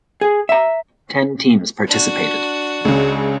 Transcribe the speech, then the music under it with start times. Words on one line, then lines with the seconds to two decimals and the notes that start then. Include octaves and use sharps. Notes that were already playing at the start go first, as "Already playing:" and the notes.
Ten teams participated.
0.21 G#4
0.49 E5 A#5
1.87 D4 F#4
2.85 C#2 C#3